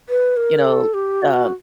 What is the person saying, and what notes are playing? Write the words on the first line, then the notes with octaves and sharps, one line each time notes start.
you know, um,
B4
A#4
A4
G4
F#4